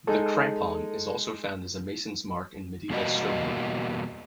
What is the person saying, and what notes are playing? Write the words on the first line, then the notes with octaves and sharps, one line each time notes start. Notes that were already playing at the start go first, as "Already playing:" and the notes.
The "crampon" is also found as a mason's mark in medieval stonework.
G#3 D#4 A4
E2 B2 G3 A#3 F#4 D#5